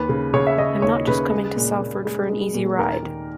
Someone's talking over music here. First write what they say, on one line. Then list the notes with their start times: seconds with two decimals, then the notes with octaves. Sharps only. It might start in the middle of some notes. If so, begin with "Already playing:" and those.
I'm not just coming to Salford for an easy ride.
Already playing: D#2 B4
0.09 C#3
0.33 C#3 C#5
0.47 E5
0.58 C#3 D#5
0.82 D#2 C#5
1.07 C#3 B4
1.32 G#3
1.56 A#2
1.81 A#2
2.05 G#3
2.29 G#3
2.54 A#2
2.79 D#2 A#4
3.03 D#3